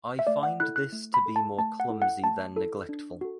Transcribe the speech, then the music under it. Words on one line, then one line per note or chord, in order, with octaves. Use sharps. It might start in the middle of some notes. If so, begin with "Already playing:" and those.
I find this to be more clumsy than neglectful.
E5
A3 D5
F#5
E4 A4 F#6
F#6
A3
B5
E4 A4
A5
A3 A5
F#5
E4 A4
F#5
A3 A5
E4 A4
D4
F#4 A4